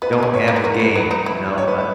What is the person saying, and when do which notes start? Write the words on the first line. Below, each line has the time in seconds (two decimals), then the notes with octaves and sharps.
don't have the game, you know, my
0.02 B3 B4
0.13 A#3
0.18 B4
0.23 G#3
0.34 C#5
0.48 A#3 B4
0.56 G#3
0.64 F#3 A#4
0.79 E3 B4
0.96 F#3 B4
1.11 D#4
1.26 E4
1.58 C#5
1.68 B4
1.78 B4